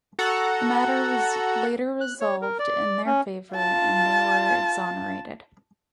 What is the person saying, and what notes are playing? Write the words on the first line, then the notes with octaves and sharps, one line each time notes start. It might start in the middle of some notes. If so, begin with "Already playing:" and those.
The matter was later resolved in their favour and they were exonerated.
F#4 A4 F#5 A#5
F#6
C#5
A#4
D5
C#4
F4 A5